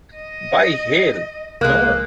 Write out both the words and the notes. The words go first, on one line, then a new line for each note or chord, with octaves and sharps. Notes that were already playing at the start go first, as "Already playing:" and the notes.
By hell, no!
D#5
C2 G#3 A#3 F#6